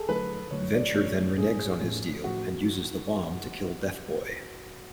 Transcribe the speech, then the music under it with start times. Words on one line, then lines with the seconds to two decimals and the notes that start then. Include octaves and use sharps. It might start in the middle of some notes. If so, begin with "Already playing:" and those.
Venture then reneges on his deal and uses the bomb to kill Deathboy.
Already playing: G#4 A4
0.08 D3 F#3 A3 B4
0.51 D3 F#3 A3 C#5
0.73 D5
0.94 D3 F#3 A3 C#5
1.37 A2 F3 A3 C#4 G#4
1.81 A2 F3 A3 C#4
2.24 A2 F3 A3 C#4 F#4